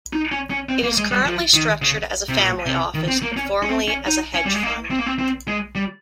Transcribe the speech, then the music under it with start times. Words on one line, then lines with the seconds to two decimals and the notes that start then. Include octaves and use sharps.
It is currently structured as a family office but formerly as a hedge fund.
0.13 D#4
0.32 C#4
0.51 C#4
0.69 C4
0.84 A#3
0.97 G#3
1.11 G3
1.26 F3
1.54 D#3
1.82 C#3
2.29 C3
2.38 A#2
2.66 C3
2.94 D#3
3.08 C4
3.23 A#3
3.37 C#4
3.62 C#4
3.69 C4
3.88 C#4
4.07 D#4
4.34 C#4
4.46 G3
4.54 G#3
4.63 A#3
4.91 C4
4.99 A#3
5.06 C4
5.19 C4
5.48 G#3
5.75 G3